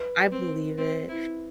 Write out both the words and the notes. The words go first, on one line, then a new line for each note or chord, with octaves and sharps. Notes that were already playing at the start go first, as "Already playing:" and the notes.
I believe it.
Already playing: B4
C4
C4
E4